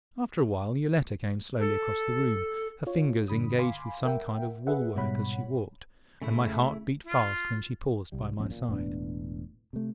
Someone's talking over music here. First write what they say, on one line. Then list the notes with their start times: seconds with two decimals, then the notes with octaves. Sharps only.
After a while Yoletta came slowly across the room, her fingers engaged with some kind of wool-work as she walked, and my heart beat fast when she paused by my side.
1.59 A4
2.87 F4 C#5
3.28 G2 D3 B5 D#6
3.58 F5 G#5 B5 C6 D6
4.05 A#4 E5 F#5 G5
4.67 G#4 B4 E5 F#5
4.96 G#2 B2 G3 C#5 F#5 B5
6.22 C#3 A3 E4
7.07 F4
8.12 C2 G3
8.38 D#1 A#1 F3 C#4
8.51 A#2
8.69 E1 A2 B3 D4
9.73 C3 A3